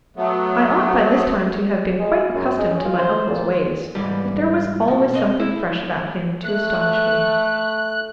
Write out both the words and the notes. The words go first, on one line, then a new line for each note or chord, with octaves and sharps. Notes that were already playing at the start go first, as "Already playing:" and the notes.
I ought by this time to have been quite accustomed to my uncle's ways; yet there was always something fresh about him to astonish me.
F#3 A3 B3
G#3
F#2
G#3
C#4
F4
C5
A#2
G#2 E3 G3
B2
C4 D#5
E4
A3 F#6